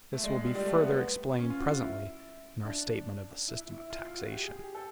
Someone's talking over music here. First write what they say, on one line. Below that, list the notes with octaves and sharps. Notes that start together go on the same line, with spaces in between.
This will be further explained presently in our statement of the system of taxation.
A3
G#3
G#3
G3
G3
A3
B3
B3
C#4
F4
F#4
F4
E4
D4
E4
E4
E4
E4
F4
F4
F#4
G4
G#4
G#4
G4
A4